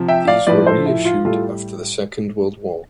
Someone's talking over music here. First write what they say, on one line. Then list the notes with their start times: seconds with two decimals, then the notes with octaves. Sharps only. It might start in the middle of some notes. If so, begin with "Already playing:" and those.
These were reissued after the Second World War.
Already playing: C3 F3
0.08 E5 G5
0.28 D5 F5
0.47 A2 F3 B4 D5
0.67 A4 C5
0.86 E4
1.05 F4
1.25 A2 G3 F4 A4